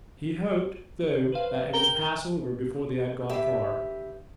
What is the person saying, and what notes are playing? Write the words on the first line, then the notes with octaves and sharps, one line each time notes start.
He hoped, though, that it would pass over before they had gone far.
B4 C5 F5
A#4 G5 A#5 G7
D2 G4 B4 E5